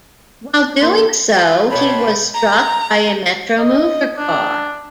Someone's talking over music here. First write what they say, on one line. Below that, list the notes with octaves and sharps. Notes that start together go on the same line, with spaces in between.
While doing so he was struck by a Metromover car.
A#3 C6
F4 G#4 B4
B2 B3 C#5 D5 G5 A5 B5 C6
A#5
D#5
D4